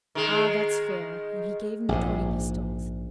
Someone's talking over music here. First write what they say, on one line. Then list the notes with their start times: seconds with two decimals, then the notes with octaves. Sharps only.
"Ah! that's fair," and he gave him the twenty pistoles.
0.15 D#3 G#3
1.89 A#1 G#2